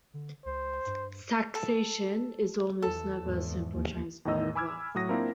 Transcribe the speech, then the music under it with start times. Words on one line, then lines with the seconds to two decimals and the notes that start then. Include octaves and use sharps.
Taxation is almost never a simple transfer of wealth.
0.14 D3
0.45 C#2 C5
0.87 G2
1.55 A4
2.82 E2 A4
3.22 E2 G#2
3.73 D#2
4.25 E2 A2 D#3 D#4 D#5 E6
4.55 G#5 B5 D6 E6 F6 G#6
4.95 A2 F#3 F#4 D#6 A#6
5.09 A#3 C4 D4 E4 F4 A#4